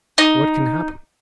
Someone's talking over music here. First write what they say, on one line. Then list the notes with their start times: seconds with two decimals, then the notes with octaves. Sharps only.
"What can happen?"
0.18 D#4